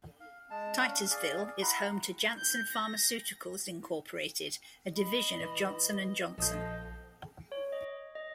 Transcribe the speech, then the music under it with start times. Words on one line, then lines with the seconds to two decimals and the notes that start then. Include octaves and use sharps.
Titusville is home to Janssen Pharmaceuticals Incorporated a division of Johnson and Johnson.
0.20 F5
0.51 G#3 A5
0.78 C#4 D4 F5
1.10 G#4 D5 F5
1.62 E4 F#5 A#5 C6
2.38 G6
2.72 A#6
4.96 D#5 B5
5.40 E3
6.38 A#1 F3 F4 A4 D#5 D#6 G6
7.52 C#5
7.72 D#5
8.15 D#5